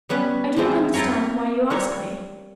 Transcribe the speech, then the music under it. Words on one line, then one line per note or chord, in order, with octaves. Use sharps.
"I do not understand why you ask me."
G3 B3 C#4 B4
E3 F3 G#3 C4
C4 E4 F4 A#4 C#5
G3 A#3 C#5